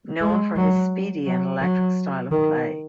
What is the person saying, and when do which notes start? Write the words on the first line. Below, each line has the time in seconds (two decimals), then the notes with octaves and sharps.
Known for his speedy and electric style of play.
0.21 G#3
0.56 F#3
1.26 F#3
1.61 F#3
2.31 D#3